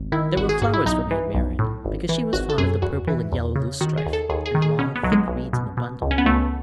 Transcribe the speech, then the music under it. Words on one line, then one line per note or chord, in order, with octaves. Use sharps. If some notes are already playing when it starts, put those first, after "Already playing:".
There were flowers for Maid Marian, because she was fond of the purple and yellow loosestrife, and long thick reeds in a bundle.
Already playing: G#1
D#3 E4
G#1 F#4
G#4
G#2 F#4
E4
B1 D#4
E3
B1
A2
G#1
E3
G#1 F#4
A4
F#2 G#4
E2 F#4
E3
E2
C#3
D#3 F#4
G#4
D#2
A4
D#2 G#4
G#4
D#3
G#4
B2 C#4
B3
B1 F#3
G#3
B1
B2
B2
C#2
C#4
B3
C#2 A3